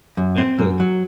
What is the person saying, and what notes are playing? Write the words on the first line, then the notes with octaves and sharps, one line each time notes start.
that's a
F#2
C4
F#2
F#3